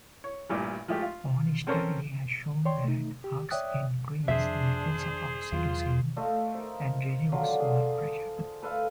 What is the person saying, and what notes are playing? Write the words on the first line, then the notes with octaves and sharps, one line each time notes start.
One study has shown that hugs increase levels of oxytocin and reduce blood pressure.
C#5
A1 G2 A#2 D6
F3 G#3 A3 G4
F4
C4 C#4 A4 A#4 C5 C#5
C#5 D5 G5 C6
A3 D#4
G4
C#5 D5 E5 G5 D#6 F#6
F2 C3 D4 G#4 C5 E5
E2 E3 F#3 F4
A3 F4 D#5 E5
A#4 C5
D3 F#3 F4
G#4
A4 B4 E5 F5